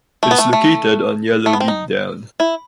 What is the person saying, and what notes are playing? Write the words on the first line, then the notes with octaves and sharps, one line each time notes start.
It is located on Yellowmead Down.
A3
B3
A3
A3
A3
B3
C4
D#4
E4